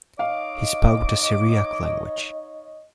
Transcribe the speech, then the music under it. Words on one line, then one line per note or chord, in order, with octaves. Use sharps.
He spoke the Syriac language.
D#4 C#5 D#5 F5 D6